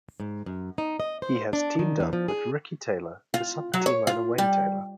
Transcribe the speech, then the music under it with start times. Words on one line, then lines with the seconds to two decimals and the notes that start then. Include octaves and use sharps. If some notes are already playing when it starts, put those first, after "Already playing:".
He has teamed up with Ricky Taylor, the son of team owner Wayne Taylor.
0.20 G#2
0.46 F#2
0.78 D#4
1.00 D#5
1.22 C5
1.53 D4
1.79 D#3
2.00 E2
2.13 F3
2.28 G#4
3.34 F4
3.74 F#3
3.86 C#5
4.07 F4
4.38 G3